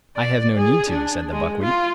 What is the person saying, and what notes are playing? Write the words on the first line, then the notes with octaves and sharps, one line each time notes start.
"I have no need to," said the buckwheat.
D5
G#4
D4
G#3
F4